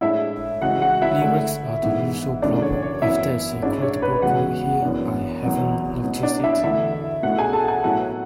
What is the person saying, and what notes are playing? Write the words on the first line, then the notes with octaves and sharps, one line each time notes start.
Lyrics are the usual problem-if there's a quotable quote here, I haven't noticed it.
A2 G#3 D4 E4 E5
C#3 E3 G#3 F#4 F#5
F#4 F#5
E4 E5
D3 A3 D4
G#2 E3 B3
F#2 C#3 E3 A3 C#4 D4 D5
C#5
C#5
F#2 E3 B3 E4 E5
G#2 G#3 C#4 D4 E4 D5
C#5
B4
E2 C#3 E3 G#3 B3 F#4 F#5
F#2 E3 B3 D4
E2 B2 F#3 B3
B2 F#3 B3
D4 D5
E4 E5
E2 D3 A3 E4 E5
B2 A3 C#4 E4 F#4 F#5
G#4 G#5
A4 A5
G#4 G#5
A2 F#3 B3 E4 F#4 F#5